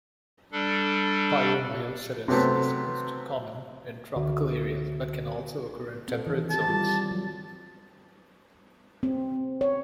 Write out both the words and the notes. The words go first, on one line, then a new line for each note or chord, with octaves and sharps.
Pyomyositis is most common in tropical areas but can also occur in temperate zones.
G3 D4 A4
C3 F#3 A3 B3 C4
C#2 D3 F#4 E5
C4 A4
D#3 E3
C4 G4 A5
G3 F4 G4
F#3
C4
C#5